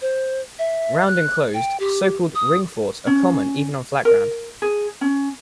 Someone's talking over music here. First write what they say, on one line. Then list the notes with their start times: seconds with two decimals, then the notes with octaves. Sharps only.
Round and closed, so called, "ring forts" are common even on flat ground.
0.02 C5
0.59 E5
1.07 F#6
1.54 G5
1.80 G4
2.35 D#6
3.07 C#4
4.05 A#4
4.62 G#4
5.01 C#4